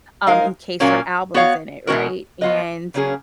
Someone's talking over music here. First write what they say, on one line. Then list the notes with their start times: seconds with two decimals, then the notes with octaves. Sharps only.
um, encased her albums in it, right? And,
0.27 G#3 D#4 A#4 F5
0.80 A#2 F#3 A#3 C#4
1.34 B3 F#4 C#5 F5
1.87 B2 G#3 C#4 F#4 A#4
2.41 F#3 B3 F4 B4 D#5
2.94 C#3 F#3 A#3 C#4 G#4